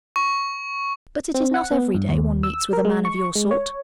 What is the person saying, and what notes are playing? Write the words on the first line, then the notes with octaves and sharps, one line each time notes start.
'But it is not every day one meets with a man of your sort.
C#6
C4
F#5
B3
G2
D#2
E6
A#4
G#3
C#6
G#3
C#5